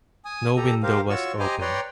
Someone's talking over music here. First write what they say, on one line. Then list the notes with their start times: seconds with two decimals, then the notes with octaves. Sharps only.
No window was open.
0.25 G#5 D#6
0.57 G4 A4 A#5
0.83 G4 A#4 C5 F5
1.10 F4 F#4 C#5 C#6 E6
1.39 G4 C5 D#5 G#5 A#5 D6
1.61 B4 C#5 D5 G5 A#5 C6